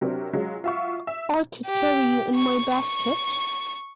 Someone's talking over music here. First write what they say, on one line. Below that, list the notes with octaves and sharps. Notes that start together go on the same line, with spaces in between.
I could carry you in my basket.
C3 F#3 C4 D4 A#4
F#3 G#3 C#4 F4
F4 F#4 E5 F5 C#6
E5
G4
C#6
C#6